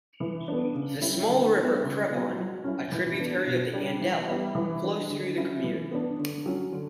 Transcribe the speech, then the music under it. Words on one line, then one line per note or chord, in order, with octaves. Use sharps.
The small river Crevon, a tributary of the Andelle, flows through the commune.
E3
B3 D4
C#3
G3 C#4 E4
D3
G3 B3 E4
C#3
F#3 B3
F#3
C#4 E4
E3
B3 D4
B2
G3 D4
E3
G3 B3 E4
E3
G3 D4
D3
F#3 C#4 E4
E3
B3 D4
D3
F#3 C#4
D3